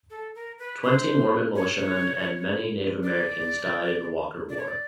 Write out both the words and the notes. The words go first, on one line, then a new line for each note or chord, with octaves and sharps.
Twenty Mormon militiamen and many Native Americans died in the Walker War.
A4
A#4
B4
C5
C#5
D5
D5
C#5
D5